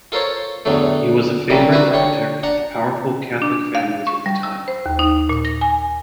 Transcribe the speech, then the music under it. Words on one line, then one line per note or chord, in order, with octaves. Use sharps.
He was a favourite architect of the powerful Catholic families of the time.
F4 A4 A#4 C5 C#5
E2 A2 D3 F#3 A3
E3 F#3 G3 A3 A#3
D4 E4 F#4 A#4 B4 E5
D3 G4 C#5
D4 F#5 A#5
D4
F5
C#6
G3
E6
C5
D#2
D#4
A#2
A#6
G#5